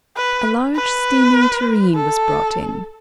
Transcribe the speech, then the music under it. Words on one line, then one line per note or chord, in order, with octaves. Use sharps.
A large steaming tureen was brought in.
B4
B4
A4